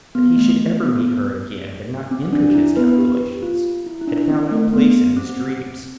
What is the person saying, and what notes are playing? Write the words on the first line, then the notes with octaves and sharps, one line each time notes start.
That he should ever meet her again had not entered his calculations, had found no place in his dreams.
B3
A3
B3
C4
D4
E4
B3 B4
G4
F4
E4
E4
D4
C4
A3
B3
C4